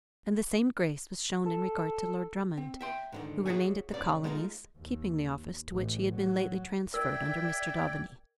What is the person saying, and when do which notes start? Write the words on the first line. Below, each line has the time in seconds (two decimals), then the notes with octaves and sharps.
And the same grace was shown in regard to Lord Drummond, who remained at the Colonies, keeping the office to which he had been lately transferred under Mr. Daubeny.
1.46 A4
2.57 C4
2.81 E5 G5 C6
3.12 G#2 D3 D#3
3.46 F#4 G#4 A4 C#5 E5 G#5
3.90 G#2 C#3 D5
4.24 G#3 A3 B3 D4 D#4 F4
4.78 D#2
5.71 A1
6.13 F#3
6.94 A#4 D5 E5 G5 G#6